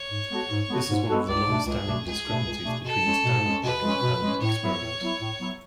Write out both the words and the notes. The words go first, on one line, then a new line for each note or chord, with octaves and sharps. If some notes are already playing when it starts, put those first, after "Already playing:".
This is one of the long-standing discrepancies between the Standard Model and experiment.
Already playing: C#5
G#2
G#3 B3 F#4 A4
G#2
G#3 B3 F#4 A4
G#2
G#3 B3 F#4 A4
C#2 D5
B2 A3 D4
C#2 G#4
B2 A3 D4
C#2 G#4
B2 A3 D4
C#2
B2 A3 D4
B2 A4
G#3 C#4
B2
G#3 C#4
B2 B4
G#3 C#4
B2
G#3 C#4
A2 C#5
F#3 B3 E4
A2
F#3 B3 E4
A2
F#3 B3 E4